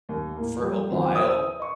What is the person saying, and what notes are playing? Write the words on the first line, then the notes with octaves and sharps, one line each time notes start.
for a while,
D#2
A2 A#3
F3 G3
D#2 D#3 F3 F#3 B3 C4
E4 B4 C5 G5 D#6 E6
D#5 C#6